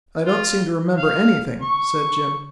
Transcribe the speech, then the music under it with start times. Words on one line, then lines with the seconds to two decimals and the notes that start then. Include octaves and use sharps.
"I don't seem to remember anything," said Jim.
0.24 F4
0.95 F5
1.62 C#6